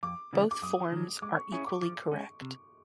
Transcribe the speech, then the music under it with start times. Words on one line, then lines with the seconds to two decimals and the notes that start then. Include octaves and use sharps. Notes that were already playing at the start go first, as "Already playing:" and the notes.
Both forms are equally correct.
0.03 F2 D6
0.33 C#3 E3 G3 B3
0.51 D6
0.62 F#2 D#6
0.92 D#3 F#3
1.22 G#3 D6
1.37 C#6
1.52 C#4 E4 G#4 C#6
1.66 D6
1.82 F3 D6
2.12 G#3 C#4
2.42 C3